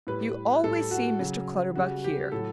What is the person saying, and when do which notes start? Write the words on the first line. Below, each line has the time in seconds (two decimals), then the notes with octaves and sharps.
You always see Mr. Clutterbuck here.
0.07 A2 G3 B4
0.64 A2 G3 A4
0.91 F#4
1.19 C#3 F#3
1.75 C#3 G3 F#4
2.04 G4
2.32 A2 F#3 A4